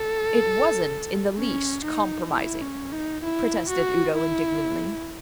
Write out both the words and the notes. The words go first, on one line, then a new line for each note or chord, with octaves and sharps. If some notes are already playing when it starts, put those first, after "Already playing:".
"It wasn't in the least compromising," protested Udo indignantly.
Already playing: A4
C#4
D#4
E4
C#4
D#4
E4
F#4
E4